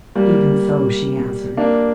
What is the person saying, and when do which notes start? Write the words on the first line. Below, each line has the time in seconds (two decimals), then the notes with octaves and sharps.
"Even so." she answered.
0.15 G3 A#3
1.57 A#3 D4